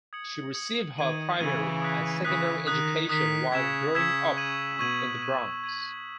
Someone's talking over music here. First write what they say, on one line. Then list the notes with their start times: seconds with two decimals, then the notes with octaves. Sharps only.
She received her primary and secondary education while growing up in the Bronx.
0.13 D#6 G#6 C#7 F#7
0.54 D#6 G#6 C#7 F#7
0.97 D#3 G#6 D#7 F#7
1.40 C#3 E3 G#6 D#7 F#7
1.82 D#6 F#6 B6
2.25 C#3 E3 D#6 F#6 B6
2.67 D#3 D#6 F#6 B6
3.09 D#3 D#6 F#6 B6
3.52 C#3 E6 G#6 B6 E7
3.95 C#3 E6 G#6 B6 E7
4.37 C#6 G#6 D#7 F#7
4.79 B2 C#6 G#6 D#7 F#7
5.22 G#6 D#7 F#7
5.64 G#6 D#7 F#7